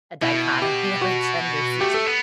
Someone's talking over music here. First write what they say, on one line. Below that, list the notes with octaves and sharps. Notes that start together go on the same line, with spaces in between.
a dichotomy of genders, which is
B2 E4
G4
F#4
A3 G4
A4
B3